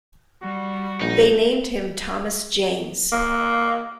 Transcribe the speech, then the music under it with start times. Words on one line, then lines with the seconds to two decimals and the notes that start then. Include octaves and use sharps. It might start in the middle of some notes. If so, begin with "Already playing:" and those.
They named him Thomas James.
0.42 G3 F#4
1.01 A#1 D#4
3.12 A#3